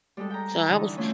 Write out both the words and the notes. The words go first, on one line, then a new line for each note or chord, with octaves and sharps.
So I was
G3 G#3 A4
G5 A#5
D3 E3 D#4
F3 A3 C#4